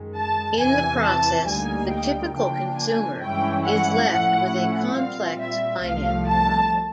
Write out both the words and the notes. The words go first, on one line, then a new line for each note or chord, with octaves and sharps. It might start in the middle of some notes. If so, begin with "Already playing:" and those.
In the process, the typical consumer is left with a complex finance problem.
Already playing: F#2 D#3 G#3
A5
E2 C3 E3 G#5
A5
D2 D3 G3 A#3 D#4 G#5
G5
C#3 F3 A#3 D4 F4 G5
G#5
G2 E3 G#3 C#4 E4 G5
F#5
A2 F3 A3 C#4 E4
A#2 G3 C4 F4 F5
E5
C2 C3 F3 A3 F5
A5